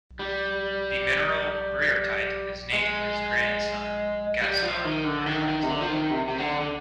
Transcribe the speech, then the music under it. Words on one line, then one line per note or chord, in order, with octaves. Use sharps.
The mineral Briartite is named for his grandson, Gaston Briart.
G3
G#3
G3
F3
D#3
D3
D#3
D#3
C3
D3
F3
D#3
C3
C3
D3
D3